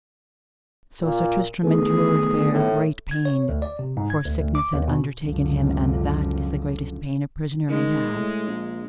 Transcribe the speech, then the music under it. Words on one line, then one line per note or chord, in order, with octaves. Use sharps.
So Sir Tristram endured there great pain, for sickness had undertaken him, and that is the greatest pain a prisoner may have.
A#2
D#3 A3 B3 G#4
A2
G#6
C#5
D2
D5
C3
G#2
G#6
D2
D2
D6
D#2
B2
C#2 F#2 D3 F3
D#3 G#3
A2
A#1